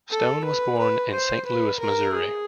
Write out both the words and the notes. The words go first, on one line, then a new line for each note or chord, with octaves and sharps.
Stone was born in Saint Louis, Missouri.
A4
B4
B4
C5
B4
A#4
G#4